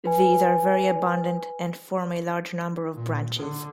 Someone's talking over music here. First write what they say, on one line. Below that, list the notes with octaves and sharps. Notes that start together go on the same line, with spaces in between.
These are very abundant and form a large number of branches.
B4 G#5
A#2
D3